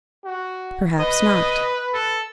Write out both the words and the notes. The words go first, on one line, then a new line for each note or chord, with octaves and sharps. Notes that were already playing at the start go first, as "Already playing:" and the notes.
"Perhaps not."
F#4
B4 D#5
A4